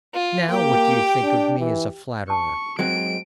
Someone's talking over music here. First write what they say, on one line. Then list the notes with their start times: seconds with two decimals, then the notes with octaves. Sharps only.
Now what do you think of me as a flatterer?
0.14 F4
0.50 A#3 G4 G5
1.23 D4
1.59 E3
2.30 A5 C#6
2.79 F#3 G#3 C4 D7